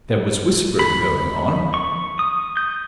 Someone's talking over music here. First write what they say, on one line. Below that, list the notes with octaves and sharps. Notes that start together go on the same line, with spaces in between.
There was whispering going on.
B5
C#6
D#6
G6